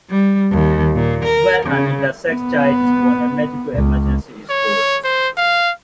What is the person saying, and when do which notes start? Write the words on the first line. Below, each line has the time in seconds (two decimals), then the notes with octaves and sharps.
When an intersex child is first born, a "medical emergency" is called.
0.10 G3
0.51 D#2
0.95 A#2
1.25 A#4
1.66 C#3
2.29 B3
3.74 C#2
4.50 C#5
5.04 C5
5.37 F5